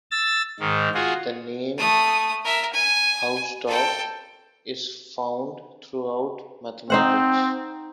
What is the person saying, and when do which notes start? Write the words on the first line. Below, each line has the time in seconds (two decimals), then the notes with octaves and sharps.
The name Hausdorff is found throughout mathematics.
0.11 E6 A6
0.60 G#2 D#3
0.94 F4 F#4 G#4
1.78 A3 D#6
2.44 A#4 E5
2.73 G#5
3.67 A4 G5
6.90 C4 D#4 C5 F#5